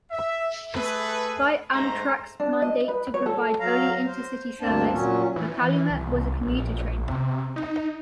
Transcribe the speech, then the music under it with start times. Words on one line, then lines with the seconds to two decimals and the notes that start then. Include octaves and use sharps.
Despite Amtrak's mandate to provide only intercity service, the "Calumet" was a commuter train.
0.11 E5
0.74 A3 G#4 A4 B4
1.72 G#2 A3 C5 A#5
2.40 D4
2.62 D#5
2.88 B4
3.14 C#5
3.26 A4
3.60 F#3 F5 A#5
4.06 C5
4.61 D2 G2 A#3 C4 D4 A5
4.92 A#2 F#3 C#4
5.36 E3
5.90 C2
6.41 A#1
7.08 C3
7.56 D#4